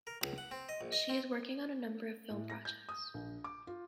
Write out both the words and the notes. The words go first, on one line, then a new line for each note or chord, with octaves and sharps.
She is working on a number of film projects.
A#4
C#2
F#5
C4
D#5
A#1
D#5
C4
A2
A#6
G6
D#6
A#1
D6
F4